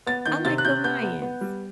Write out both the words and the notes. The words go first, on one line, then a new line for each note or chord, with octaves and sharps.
I like the Lions.
B3 A6
D#3 G6
C3 A6
F#6
C3 G6
B3 G6
B3
B3
G3